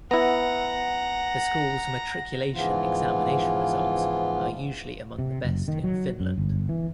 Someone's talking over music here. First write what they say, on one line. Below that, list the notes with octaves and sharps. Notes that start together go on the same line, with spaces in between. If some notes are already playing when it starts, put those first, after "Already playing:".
The school's matriculation examination results are usually among the best in Finland.
B3 E4 F#5 A#5
G#2 C#3 E3 F3 B3 F4
C3
F#1
D#3
F#3
F#2
G1
E3